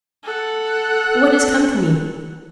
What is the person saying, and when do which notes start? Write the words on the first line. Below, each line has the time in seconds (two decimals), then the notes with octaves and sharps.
What is come to me!
0.23 A4 F#5